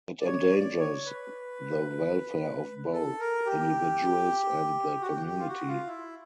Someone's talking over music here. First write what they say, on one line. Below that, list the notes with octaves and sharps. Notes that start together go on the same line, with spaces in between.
It endangers the welfare of both individuals and the community.
D5
C#5
D5
C#5
B4
A4
A#4
G4
F#4
G4
G4
F4
F#4
F4
E4